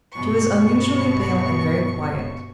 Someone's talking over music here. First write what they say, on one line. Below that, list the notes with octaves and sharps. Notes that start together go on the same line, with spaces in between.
She was unusually pale and very quiet.
G2 B2 C#6